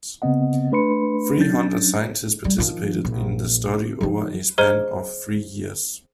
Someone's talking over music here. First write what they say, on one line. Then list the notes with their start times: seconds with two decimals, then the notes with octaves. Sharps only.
Three hundred scientists participated in the study over a span of three years.
0.22 C#3 B3 C4 D#5 F#5
0.72 A3 D4 B4 B5 C6 C#7
1.38 F#3 C#4 D4 G6 A6
2.45 G3
2.58 D#3 F3
3.05 A#1
4.01 F3 D#4
4.58 G#4 C5 D#5 A#5 F6